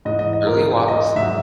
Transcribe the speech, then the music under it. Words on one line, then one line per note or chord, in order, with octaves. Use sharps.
Early walks.
G#2 E3 D#5
D#5
D#5
A#4
D#5
G#2 F#3 E5